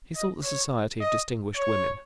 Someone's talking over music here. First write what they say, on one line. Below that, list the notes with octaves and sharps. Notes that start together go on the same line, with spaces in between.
He sought the society of distinguished women.
D#5
C#5
D#5
C#5